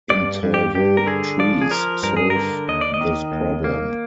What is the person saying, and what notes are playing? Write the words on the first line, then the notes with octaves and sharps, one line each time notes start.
Interval trees solve this problem.
G2 D5
G2
G4
G2 G4
A#4
D3 G#4
F3 D5
G#4
F3 A#4
G2 A#4
G#4
A#4
D3
D#2 D#5
D5
D#5
D#3
D#2
A#3